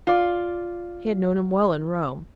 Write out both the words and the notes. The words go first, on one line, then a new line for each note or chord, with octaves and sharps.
He had known him well in Rome.
F4 D5